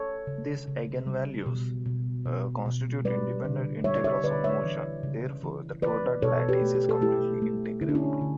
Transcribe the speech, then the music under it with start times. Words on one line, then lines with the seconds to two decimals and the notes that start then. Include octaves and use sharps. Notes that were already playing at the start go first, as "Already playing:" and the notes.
These eigenvalues constitute independent integrals of motion, therefore the Toda lattice is completely integrable.
Already playing: A4 C#5
0.27 C#3
0.67 C#3
1.07 G3
1.46 B2
1.86 B2
2.25 B2
2.66 B2
3.05 G3 B4 D5
3.44 D3
3.84 G3 C#5 E5
3.96 D5
4.04 C#5 E5
4.24 D3 B4 D5
4.44 C#5 E5
4.64 E3
5.03 C#3
5.43 E3
5.82 E3 B4 D5
6.22 B2 A4 C#5
6.48 G4 B4
6.62 A3
6.75 G4
6.89 A4
7.01 A3 E4 G4
7.42 A3
7.81 D3 E4
7.89 D4
7.95 C#4 E4
8.21 D3